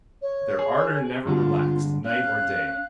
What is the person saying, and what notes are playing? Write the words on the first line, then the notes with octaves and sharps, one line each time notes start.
But their ardor never relaxed, night or day.
C#5
G#4
G2 D3 G#3 F4
C#4 F5 F#6